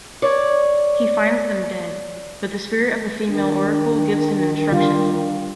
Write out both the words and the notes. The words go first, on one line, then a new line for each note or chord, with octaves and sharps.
He finds them dead, but the spirit of the female Oracle gives him instruction.
C#5 D5
D#3 D4
D3 G3 F4